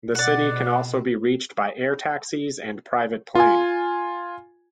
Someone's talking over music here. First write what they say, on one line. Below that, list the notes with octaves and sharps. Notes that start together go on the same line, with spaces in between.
The city can also be reached by air taxis and private plane.
B2 D5 F#5
F4 G#5